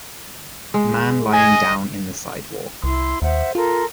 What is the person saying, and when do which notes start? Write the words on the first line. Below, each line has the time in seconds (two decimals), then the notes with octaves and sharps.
Man lying down in the sidewalk.
0.74 G#3
1.33 D#5 G#5
2.84 C2 E4 C6
3.22 D#2 C5 E5 F#5
3.55 F4 A4 A#4 C6